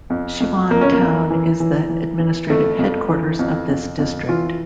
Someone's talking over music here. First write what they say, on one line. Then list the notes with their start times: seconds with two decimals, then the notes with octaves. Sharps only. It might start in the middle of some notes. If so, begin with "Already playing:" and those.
Siwan town is the administrative headquarters of this district.
0.10 F2
0.40 F2
0.70 F2 A#3
0.81 C#4
0.92 A#3
1.00 F2
1.30 E3
1.60 E3
1.89 E3
2.20 E3
2.49 F2 A3
2.79 F2
3.09 E3
3.39 F2
3.69 F2
3.99 F2
4.29 E3 F4